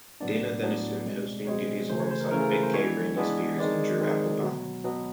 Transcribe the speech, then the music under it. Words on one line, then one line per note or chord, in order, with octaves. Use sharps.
Dana then assumed hosting duties alongside "Big Gay" Randy Spears and Drew Applebaum.
A2 F#3 B3 D4 D5
A2 F#3 B3 D4
B2 G#3 C4
B2 G#3 C4 C#5
C#3 E3 A3 C#4 C5
C#5
C5
A#4
C#3 E3 A3 C#4 A#4
A#4
B4
C5
E3 G#3 B3 D4 C#5
E3 G#3 B3 D4
D#3 G#3 C4 D5
D#3 G#3 C4
B2 F#3 B3
B2 F#3 B3